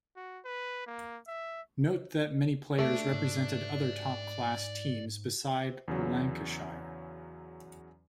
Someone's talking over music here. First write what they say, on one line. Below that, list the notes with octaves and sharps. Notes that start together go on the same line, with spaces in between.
Note that many players represented other top-class teams besides Lancashire.
F#4
B4
A#3
E5
A3 D5 A5
G#2
E2 C#3 F#3